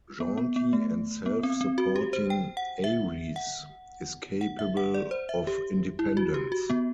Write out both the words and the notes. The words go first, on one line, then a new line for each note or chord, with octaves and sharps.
Jaunty and self-supporting, Aries is capable of independence.
B3
B3
B3
A3
B3
C4
C4
F#4
G4
C5
G5
F#5
E5
F#5
F#5
E5
F#5
D5
C5
E5
G4
E4
F#4
G4
F#4
B3